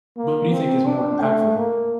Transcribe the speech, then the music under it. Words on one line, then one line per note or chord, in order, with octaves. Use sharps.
What do you think is more impactful?
A#3
C4
D4
A3
A#3